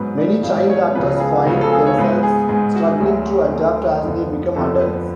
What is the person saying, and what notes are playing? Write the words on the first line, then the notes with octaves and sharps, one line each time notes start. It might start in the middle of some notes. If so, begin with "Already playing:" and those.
Many child actors find themselves struggling to adapt as they become adults.
Already playing: G#2 F#3 B3 B4
D5
G#2 F#3 B3 F5
D5
C#5
B4
C#2 C#3 F3 B3 B4
G#4
C#2 C#3 F3 B3 F#4
A4
G#4
C#5
G#2 G#3 B3 B4
G#4
G#2 G#3 B3
F#4
D2 D3 F#3 A3 G#4
F#4
D2 D3 F#3 A3
F2 D3 F3 B3
F2 D3 F3 B3 A4
B4